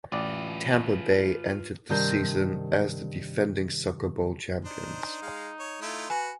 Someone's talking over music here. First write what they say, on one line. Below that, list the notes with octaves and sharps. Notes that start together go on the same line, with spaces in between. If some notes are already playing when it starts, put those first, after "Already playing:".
Tampa Bay entered the season as the defending Soccer Bowl champions.
A1 F4 B4 D5
G2 C3 D#3 A#4 C5 G6
D4 D#4 C5
G#3 F5
C#5
A3 E4 F4
F#4 B4 G#5